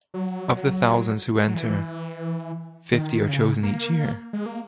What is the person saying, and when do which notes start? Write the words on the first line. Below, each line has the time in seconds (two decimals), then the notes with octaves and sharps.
Of the thousands who enter, fifty are chosen each year.
0.14 F#3
1.48 F#3
1.54 E3
2.93 D#3
3.21 D#3
3.28 C#3
3.63 A#3
4.33 G#3
4.46 A#3